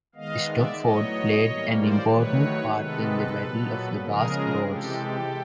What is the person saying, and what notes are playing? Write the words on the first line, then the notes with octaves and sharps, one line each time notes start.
Stopford played an important part in the Battle of the Basque Roads.
D#3 G#3 B3 D#5 F5
D5 E5
A2 F#3 B3 C#5 D#5
A2 E3 G3 A#3
C5 D5
D#3 F#3 A3 B4 C#5
C3 D#3 G#3 B3 A4 B4
A#2 F#3 B3
C#3 F3 G#3 G#4 A#4
C3 E3 G#3 G4 A4